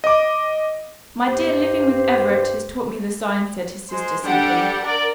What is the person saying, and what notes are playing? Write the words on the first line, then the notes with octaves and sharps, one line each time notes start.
"My dear, living with Everett has taught me the signs," said his sister simply.
D#5 D6
G2 G4 C5
G#3 C5 C6
G3 D4 G4 A4 F#5 G5
A#4 D5